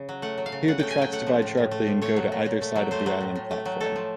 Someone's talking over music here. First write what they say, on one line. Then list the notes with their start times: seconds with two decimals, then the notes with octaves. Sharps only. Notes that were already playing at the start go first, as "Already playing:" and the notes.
Here the tracks divide sharply to go either side of the island platform.
Already playing: C#3
0.09 F#3
0.22 A3 F#5
0.38 F#3
0.46 F5
0.52 C#3
0.68 C#3 F#5
0.79 A3 G5
0.91 G#5
0.98 F#3 G5
1.12 A3 F#5
1.27 F3
1.42 A2
1.57 A2
1.71 A3
1.87 F3
2.02 A3 C#5
2.16 F#3
2.32 A#2
2.46 A#2
2.62 A3
2.76 F#3
2.91 A3 C5
3.06 F#3
3.21 A2
3.36 A2
3.51 A3
3.65 F#3
3.80 A3 A4
3.96 F3